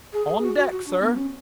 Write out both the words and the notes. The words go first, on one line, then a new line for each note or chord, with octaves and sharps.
"On deck, sir."
G#4
G#4
F#4
F#4
F#4
D4
B3
C#4